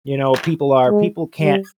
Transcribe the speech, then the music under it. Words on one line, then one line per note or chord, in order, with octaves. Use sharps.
you know, people are, people can't
G#3
G3